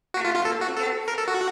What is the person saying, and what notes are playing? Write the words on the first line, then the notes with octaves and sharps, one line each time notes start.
and so she gets
F#4
F4
F4
A4
F#4
A4
A#4
A4
F#4